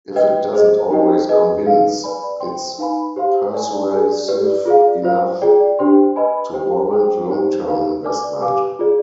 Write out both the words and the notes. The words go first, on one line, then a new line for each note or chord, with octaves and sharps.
If it doesn't always convince, it's persuasive enough to warrant long-term investment.
B4 D#5 G5
G#4 C5 D#5
D#4 G4 C5 D#5 G5
G#4 B4 D#5 G#5
D#4 G#4 B4 F5
B4 D5 G#5 B5
C5 G5 C6
D#4 B4 F5 G#5 B5
G4 C5 F5 C6
B4 D5 G#5
G#4 D5 G#5
G4 B4 D5
F4 G#4 D5 F5
F4 C5 F5
F4 G#4 D5 G5
D4 G4 C5 G5 C6
B4 D#5 G#5 B5
G4 C5 G5
G#4 C5 G5
D#4 G4 C5
D#4 G4 B4 F5
B4 D5 G#5 D6
G4 B4 F5 G#5 D6
F4 G#4 D5